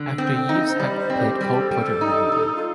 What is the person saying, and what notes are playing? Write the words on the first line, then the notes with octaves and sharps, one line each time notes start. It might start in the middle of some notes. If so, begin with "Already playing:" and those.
Actor Yves Heck played Cole Porter in the movie.
Already playing: D3
C4
D#4
C5
G3 D5
C5
C4
G4
G3 G4
A4
G3
A4
D#4
D#4
F4